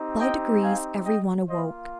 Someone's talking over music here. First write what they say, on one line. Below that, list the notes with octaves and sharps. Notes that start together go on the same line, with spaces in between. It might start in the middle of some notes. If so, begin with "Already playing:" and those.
By degrees every one awoke.
Already playing: C4 D#4 G4
D#5 G5
F5 G#5
D#5 G5
A#3 F4 C5 D#5